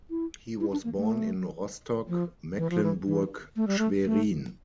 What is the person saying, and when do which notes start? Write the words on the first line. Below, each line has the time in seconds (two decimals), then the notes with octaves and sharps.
He was born in Rostock, Mecklenburg-Schwerin.
0.10 E4
0.60 E4
0.72 D4
0.84 A#3
0.97 A3
2.08 F3
2.57 E3
2.70 F3
2.83 E3
3.07 E3
3.56 A3
3.67 G3
3.79 A3
4.06 A3